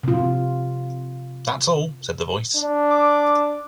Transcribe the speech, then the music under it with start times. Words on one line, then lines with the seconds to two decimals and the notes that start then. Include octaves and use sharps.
"That's all," said the Voice.
0.03 C3 F4
2.56 D4
2.90 D6